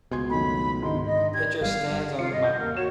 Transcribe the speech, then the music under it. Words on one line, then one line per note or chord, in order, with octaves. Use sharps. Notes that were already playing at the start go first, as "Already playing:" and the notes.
A pitcher stands on the mound.
C#2 B2 G#5 C6 G#6
F#2 D#3 A3 B5
G#2 D3 D#3 C6
D#5
G4 D5 G#6
G1 G3 F5
F4 C#7
G2 D#5
G6
D#2 A#4
D#2 F#4 C#5 E7